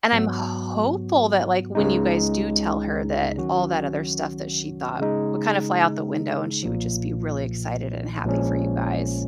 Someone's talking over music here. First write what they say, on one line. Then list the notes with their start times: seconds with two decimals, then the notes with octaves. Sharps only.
And I'm hopeful that, like, when you guys do tell her that all that other stuff that she thought, would kind of fly out the window and she would just be really excited and happy for you guys.
0.12 G#2 F#3 B3 F#4
1.75 C#2 C#3 G#3 D#4
3.37 D#3 F#3 C#4 F#4
4.99 C#3 G#3 D#4
6.63 B1 A#2 F3
8.25 A#1 A#2 F3 G#3 C#4